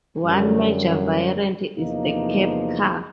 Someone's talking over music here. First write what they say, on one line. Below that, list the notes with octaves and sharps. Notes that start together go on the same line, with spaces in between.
One major variant is the cab car.
F#2 D3 G3
E2 C3 F3 A#3 D#4